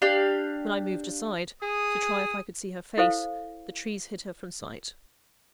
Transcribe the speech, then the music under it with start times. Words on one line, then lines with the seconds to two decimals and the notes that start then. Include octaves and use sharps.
When I moved aside, to try if I could see her face, the trees hid her from sight.
0.02 D4 G4 F5
1.62 G#4 D#6
2.98 E4 A4 C5 F5